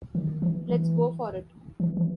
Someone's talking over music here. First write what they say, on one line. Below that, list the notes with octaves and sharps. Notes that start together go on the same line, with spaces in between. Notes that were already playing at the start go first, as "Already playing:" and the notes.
Let's go for it.
D#3
E3
E3
E3
E3